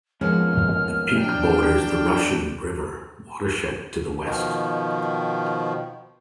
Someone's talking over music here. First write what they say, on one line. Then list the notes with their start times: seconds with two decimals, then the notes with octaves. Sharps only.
The peak borders the Russian River watershed to the west.
0.21 G#2 F3 G#3 A#3 B3 C#4 F6
1.15 E2 F#3 D4 G5
4.25 B2 D#3 F3